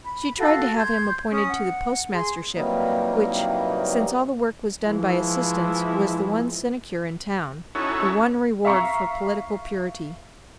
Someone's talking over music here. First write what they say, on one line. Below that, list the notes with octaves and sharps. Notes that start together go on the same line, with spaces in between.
She tried to have him appointed to the postmastership, which, since all the work was done by assistants, was the one sinecure in town, the one reward for political purity.
B5
F#4 A4 F5
C6 G6 G#6
C#4 C#6 D#6
F#5
G#4 C6
C3 E3 F#3 G3 A#3 D#4
E3 F3 G#3 E4
C#4 D#4 E4 F#4 A4 C#5
E5 F5 A#5 C#6 C#7